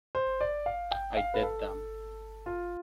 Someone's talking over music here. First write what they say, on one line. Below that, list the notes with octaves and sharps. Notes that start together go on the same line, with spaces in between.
I did them.
C5
D5
F5
G5
F5
B4
A4
F4